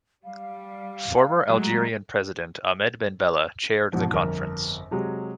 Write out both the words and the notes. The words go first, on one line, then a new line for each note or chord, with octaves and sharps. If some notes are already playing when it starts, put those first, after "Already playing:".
Former Algerian president Ahmed Ben Bella chaired the conference.
G3 F5
F#3 G#3 A3 A#5
F2 G#2 B2 E3 F3
G1 F2 A#4
C3 F#3 G#3